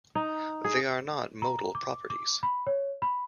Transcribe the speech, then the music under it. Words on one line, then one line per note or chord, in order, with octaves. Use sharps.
They are not modal properties.
D#4
G#4
A#5
D6
D6
B5
C#5
B5